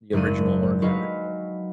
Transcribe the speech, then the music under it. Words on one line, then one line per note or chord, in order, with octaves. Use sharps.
The original, one of the original.
F#1 F#2 A#3 D4 F#6 D#7
F#3 G#3 D#4 F#4 B4 F5